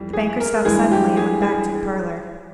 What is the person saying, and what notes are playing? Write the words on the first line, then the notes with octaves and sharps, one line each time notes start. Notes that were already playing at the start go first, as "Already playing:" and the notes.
The banker stopped suddenly, and went back to the parlour.
Already playing: F2 E3 G3
G#4
A#4
G2 E3 G#3 G#4
G4
G#4
G#4